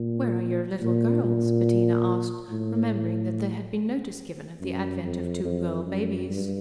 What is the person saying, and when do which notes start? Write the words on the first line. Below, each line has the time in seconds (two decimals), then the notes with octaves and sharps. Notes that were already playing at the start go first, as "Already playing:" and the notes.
"Where are your little girls?" Bettina asked, remembering that there had been notice given of the advent of two girl babies.
Already playing: A#2
0.82 A#2
1.24 A#2
2.50 A2
4.60 F#2
5.02 F2
5.44 F2
5.86 F#2
6.29 G2